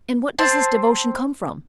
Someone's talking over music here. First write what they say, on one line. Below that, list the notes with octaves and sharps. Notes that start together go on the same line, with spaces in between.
"And what does this devotion come from?"
C4 A5 C6